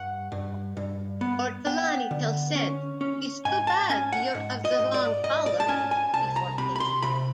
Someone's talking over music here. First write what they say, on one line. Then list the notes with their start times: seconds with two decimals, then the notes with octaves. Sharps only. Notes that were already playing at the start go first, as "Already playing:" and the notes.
Ortolani tells Said, "It's too bad you're of the wrong color," before taking off.
Already playing: G2 F#5
0.32 G2
0.77 G2
1.21 B3
1.66 B3 G5
2.11 D3
2.55 C#4
3.01 C#4
3.45 G#2 G#5
3.67 A5
3.90 C#4 G#5
4.13 F#5
4.35 G#2
4.65 D#5
4.79 G#2
4.94 D5
5.24 G#2 D#5
5.46 D5
5.60 A5
5.68 C#4 G#5
5.91 G#5
6.13 C2 A5
6.36 A#5
6.58 C3 B5
6.76 B5
6.80 C6
7.02 C3 B5